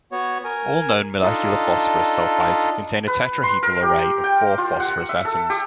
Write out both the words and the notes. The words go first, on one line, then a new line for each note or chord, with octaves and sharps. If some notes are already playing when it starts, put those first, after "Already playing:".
All known molecular phosphorus sulfides contain a tetrahedral array of four phosphorus atoms.
B3 F#4 C#5
A#4 G#5
D4 D#4 F4 A4 D#5
B4
C6
A#4
G4
G5
F4
F#5
E5
A4
G4